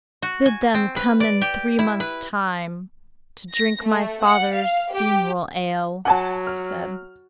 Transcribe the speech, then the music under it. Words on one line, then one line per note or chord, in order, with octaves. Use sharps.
"Bid them come in three months' time to drink my father's funeral ale," he said.
F#4
G#5
C4
B4
D5
G4
E4
B4
A#6
A3
F#5
F5
G4
F#3 F#5 G#5 A5
F6